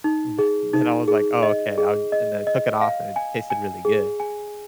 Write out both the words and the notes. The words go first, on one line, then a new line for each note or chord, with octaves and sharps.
b but then I was like, "Oh, okay. I'll" and then I took it off and it tasted really good.
D#4
G#4
D#4
G#4
D#5
G#4
D#5
D#5
F5
G#5
G#5
G#4
G#5